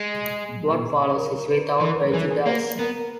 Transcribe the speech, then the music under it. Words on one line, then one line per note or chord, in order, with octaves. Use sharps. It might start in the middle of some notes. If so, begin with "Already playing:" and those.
What follows is without prejudice.
Already playing: G#3 G#4
A#4
B4
E3 A#4
B4
E3 G#4
G#4
A#3 A#4
B3 A#4